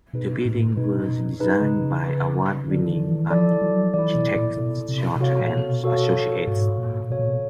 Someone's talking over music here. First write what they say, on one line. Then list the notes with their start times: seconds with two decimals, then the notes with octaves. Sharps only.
The building was designed by award-winning architects Short and Associates.
0.13 B2 D#4 G#4 B4
0.45 A2
0.77 B2 D#4 G#4 B4
1.09 B2
1.40 D#4 G#4 B4
1.61 C#3
1.82 C#3
2.04 D#4 G#4 B4
2.67 D3 E4 A4 D5
2.88 D#3
3.09 E3
3.30 F3 E4 A4 D5
3.62 F#3
3.94 E3 E4 A4 D5
4.15 B2
4.36 A#2
4.57 B2 E4 A4 D5
4.89 C3
5.15 B2
5.20 C3 F#4 A4 C#5 F5
5.41 A#2
5.52 B2
5.84 F#4 A4 C#5 F5
6.47 G#2 F#4 A4 C#5 F5
6.78 A#2
7.10 B2 F#4 A4 C#5 F5
7.19 A#2
7.28 B2